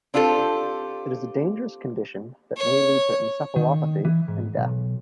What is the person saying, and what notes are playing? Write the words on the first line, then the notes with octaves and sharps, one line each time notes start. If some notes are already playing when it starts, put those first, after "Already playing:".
It is a dangerous condition that may lead to encephalopathy and death.
C4 D4 F4 G4 A4
C#5
D#3
E3
G#2
B1